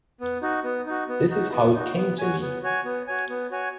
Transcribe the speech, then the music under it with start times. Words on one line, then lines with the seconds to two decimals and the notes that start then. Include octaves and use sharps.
This is how it came to me...
0.21 B3
0.42 D#4 F#4
0.64 B3
0.86 D#4 F#4
1.09 B3
1.30 D#4 F#4
1.52 B3
1.74 D#4 F#4
1.96 B3
2.18 F#4 C#5 G#5
2.41 B3
2.63 F#4 C#5 G#5
2.85 B3
3.07 F#4 C#5 G#5
3.29 B3
3.51 F#4 C#5 G#5